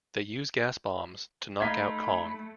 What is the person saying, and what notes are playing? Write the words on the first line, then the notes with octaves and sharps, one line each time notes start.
They use gas bombs to knock out Kong.
A3 D#4 F5 B5 C6 G#6 B6